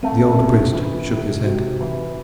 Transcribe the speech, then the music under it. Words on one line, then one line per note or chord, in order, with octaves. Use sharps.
The old priest shook his head.
A3 C4
C#4
C3
D4
E3 F4
C3
C3 F#4
E3